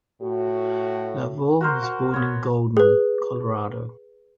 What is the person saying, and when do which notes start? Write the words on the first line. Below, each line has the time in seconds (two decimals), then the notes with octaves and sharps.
LaVeaux was born in Golden, Colorado.
0.22 A2 F#4
1.61 F#4 A#4 C5
1.82 F#4
2.14 B3 C#5
2.77 G#4 B4